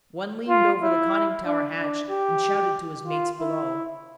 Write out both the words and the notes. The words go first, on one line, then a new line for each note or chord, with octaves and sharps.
One leaned over the conning-tower hatch and shouted to his mates below.
F4
E4
D4
D4
G4
F4
E4